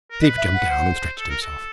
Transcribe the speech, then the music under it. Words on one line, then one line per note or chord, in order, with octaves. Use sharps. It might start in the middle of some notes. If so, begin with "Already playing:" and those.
Steve jumped down and stretched himself.
A#4
B4 D#5
E5
F#5
C5
A4
A#4
A4